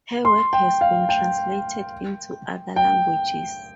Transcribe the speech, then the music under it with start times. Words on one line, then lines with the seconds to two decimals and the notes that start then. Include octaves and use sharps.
Her work has been translated into other languages.
0.25 C6
0.53 G5
0.81 F5
1.09 G5
2.76 G5